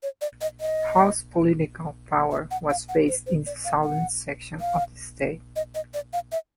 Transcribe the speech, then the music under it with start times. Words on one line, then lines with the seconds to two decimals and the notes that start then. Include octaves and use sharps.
Haugh's political power was based in the southern section of the state.
0.03 C#5
0.22 D5
0.41 D#5
0.60 D#5
2.31 E5
2.51 F#5
2.70 F5
2.89 F#5
3.08 C5
3.27 C5
3.46 D5
3.65 F5
3.84 F#5
4.60 F5
5.56 D#5
5.75 D#5
5.94 D5
6.13 F5
6.32 E5